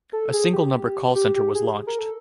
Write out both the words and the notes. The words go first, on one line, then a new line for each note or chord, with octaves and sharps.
A single number call centre was launched.
A4
G#4
G4
G4
G4
G#4
A#4
A4